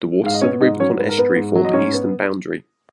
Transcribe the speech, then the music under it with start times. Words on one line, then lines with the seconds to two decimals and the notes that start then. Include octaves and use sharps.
The waters of the Rubicon Estuary form the eastern boundary.
0.23 G#2 F5
0.34 D#5
0.42 B3 C#4 C#5
0.61 G#2 D#4 D#5
0.80 F#3 C#4 C#5
0.99 G#2 B4
1.09 A#4
1.18 B3 B4
1.36 G#2
1.55 F#3
1.65 D#5
1.73 G#2 C#4 C#5
1.93 B3